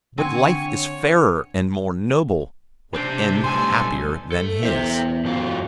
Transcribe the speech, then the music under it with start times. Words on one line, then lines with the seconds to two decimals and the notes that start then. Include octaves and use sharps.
What life is fairer and more noble, what end happier than his?
0.18 D3 C4 G#5 C#6 G#6 D#7
0.68 C#5
2.94 C3 C4 D4 G6
3.44 B1 A2 G3 A4 G#5 C6
4.32 A3 A4
4.63 E2 C5 E5
5.25 F#2 F#3 F4